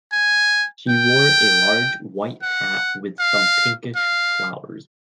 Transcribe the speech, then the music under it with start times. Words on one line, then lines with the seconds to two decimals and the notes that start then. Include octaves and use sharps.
She wore a large white hat with some pinkish flowers.
0.13 G#5
0.89 G5
2.43 F#5
3.19 F5
3.96 F5